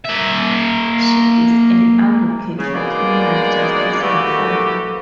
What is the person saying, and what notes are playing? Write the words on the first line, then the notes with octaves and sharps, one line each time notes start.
She is an advocate for criminal justice reform.
A#3 E5
C#3
B2 G#3 A#3 D#4 D5
E3 A3 A#3 F#4 G4 A4